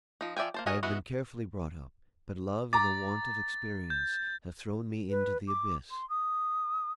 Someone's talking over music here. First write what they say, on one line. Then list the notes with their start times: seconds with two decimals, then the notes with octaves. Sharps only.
I have been carefully brought up, but love and the want of experience have thrown me into the abyss.
0.21 F3 D#4
0.37 F3 D5 E5 G5 G#5
0.54 A#3 C5 A5
0.66 F#4 A#4 C#5 D#5 G#5
0.83 E3 G#3 B3 F#4
2.73 A#5 D6 A6
3.90 G6
5.10 B4
5.48 D6
5.91 C6
6.10 D#6